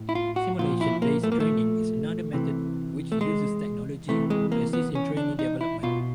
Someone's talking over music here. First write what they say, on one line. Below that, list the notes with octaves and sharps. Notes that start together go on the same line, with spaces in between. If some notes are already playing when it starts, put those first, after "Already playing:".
Simulation based training is another method which uses technology to assist in trainee development.
Already playing: A2
E4
F4
F#4
A#2 F3 F4
E4
A#3
A3
A#3
A3
C3 E3
A3
G#3
C3 E3 A3
G#3
A#3
B3
C#4
D4
D#4
E4
B2 F4